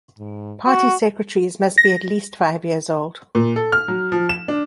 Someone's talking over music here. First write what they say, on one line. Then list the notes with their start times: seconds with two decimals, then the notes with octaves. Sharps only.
Party secretaries must be at least five years old.
0.19 G#2
0.66 F#4
1.78 A#6
3.35 A#2
3.56 A4
3.72 F6
3.88 F#3
4.12 F3
4.29 E7
4.48 D4